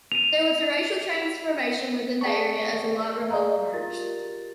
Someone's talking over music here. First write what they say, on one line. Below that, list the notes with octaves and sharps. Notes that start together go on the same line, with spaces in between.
There was a racial transformation within the area, as a white revival emerged.
D#7 F7
G#4 B4 D5 G5 A5 C#6
G#4 D5 D#5 F5 A#5
F4 G4 A#4 A6